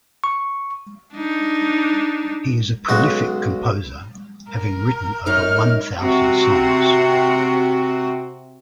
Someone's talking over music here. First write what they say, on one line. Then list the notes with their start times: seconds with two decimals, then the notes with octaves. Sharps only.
He is a prolific composer, having written over one thousand songs.
0.24 C#6
1.14 D4 D#4
2.89 B1 C#3 G#3 F#4
4.50 A#4
5.26 F#2 D#4 A#4 F6
6.00 C3 C4 F#4